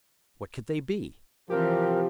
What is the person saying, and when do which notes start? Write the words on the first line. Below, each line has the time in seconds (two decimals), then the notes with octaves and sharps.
What could they be?
1.50 C3 E3 F3 C4 G4 A#4